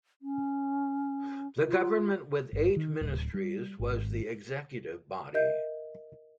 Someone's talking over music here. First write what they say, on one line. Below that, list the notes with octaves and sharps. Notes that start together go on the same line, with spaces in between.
The government with eight ministries was the executive body.
C#4
F4
G1
D#3
D1
G3
G#1
A#4 D#5 E5 G6